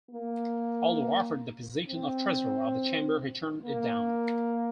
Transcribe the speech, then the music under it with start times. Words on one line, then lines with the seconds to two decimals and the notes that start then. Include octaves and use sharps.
Although offered the position of Treasurer of the Chamber he turned it down.
0.11 A#3
1.89 C4
3.65 A#3